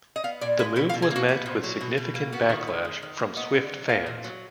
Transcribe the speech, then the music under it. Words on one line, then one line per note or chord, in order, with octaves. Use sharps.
The move was met with significant backlash from Swift fans.
D#5
B3 F5
A#2 D5
G#3 B4
B2 B4
F5
B2
G#4
A#3
F#4
B3
A#2
F#3
B2
B2
A#3
B3 F#4
D#3
G#3
D#3
D#3
A#3
B3 D#5
D3
F#3
A#3 F5
A#2
F#3